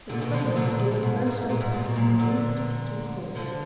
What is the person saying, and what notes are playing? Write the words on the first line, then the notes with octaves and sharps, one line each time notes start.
But suddenly the door burst open, and the wizard entered the hall.
A#2 D3
B2 D#3
D3 F3
B2 D#3
A#2 D3
B2
A#2
B2
G#2
G#2
A#2
G#2
A#2
B2
A#2
A#2 D3
D3 F3